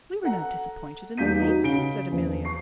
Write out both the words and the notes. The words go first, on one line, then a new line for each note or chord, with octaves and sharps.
"We were not disappointed in the least," said Amelia.
A4 F#5 A#5
E2 G3 F4 G6 B6 D#7
D#4 F#4
C#3 D7 G7
E2 F3
C#6 C7